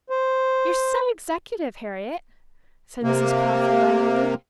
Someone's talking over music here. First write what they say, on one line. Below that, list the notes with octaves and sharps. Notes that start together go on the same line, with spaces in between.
"You're so executive, Harriet!" said Mrs. Crawford, languidly.
C5
C3 A#3